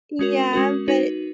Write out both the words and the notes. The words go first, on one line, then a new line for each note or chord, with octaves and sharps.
yeah, but
G#3 C#4 F#4 A#4
G#3 C#4 F#4 A#4
D#4 F#4 B4